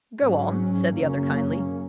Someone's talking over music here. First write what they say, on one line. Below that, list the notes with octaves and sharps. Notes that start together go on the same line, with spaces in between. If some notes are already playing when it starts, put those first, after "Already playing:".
"Go on!" said the other kindly.
G#2 F#3 C#4
F#2 C#3 A#3 C#4